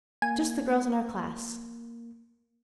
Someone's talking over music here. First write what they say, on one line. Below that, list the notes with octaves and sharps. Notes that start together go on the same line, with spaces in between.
"Just the girls in our class."
A#3 G#5